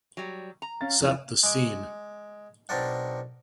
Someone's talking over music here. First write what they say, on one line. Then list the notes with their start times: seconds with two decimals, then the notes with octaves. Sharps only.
Set the scene.
0.17 F#3 G3
0.62 A#5
0.81 C#4 F5 A6
1.00 F2 E3
1.43 G#3 D6
2.69 B1 C4 D4 A#4 D5 F#5